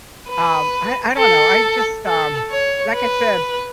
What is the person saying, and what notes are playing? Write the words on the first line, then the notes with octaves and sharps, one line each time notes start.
Um, I I don't know, I just, um, like I said,
B4
A4
A4
C#5
B4